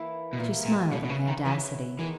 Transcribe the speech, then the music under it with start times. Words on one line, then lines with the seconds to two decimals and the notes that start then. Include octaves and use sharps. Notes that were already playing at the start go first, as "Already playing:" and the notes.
She smiled at my audacity.
Already playing: E3 A#3 E4
0.33 B2
0.38 A#2 E3 A#3 E4
0.65 A#2
0.91 B2 F#3 C#4 E4 B4
1.04 B2
1.09 C#3
1.27 D#3
1.45 E3 F#3 C#4 E4 B4
1.98 D#3 E3 G#3 B3 D#4